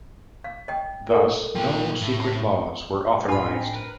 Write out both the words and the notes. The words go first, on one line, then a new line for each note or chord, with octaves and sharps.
Thus, no secret laws were authorized.
F5
D#5 G5
A4 A#4
A#2 F3 G5
A2
A2 D4 F4 G#5 B5
C4 D#4
A#4 B4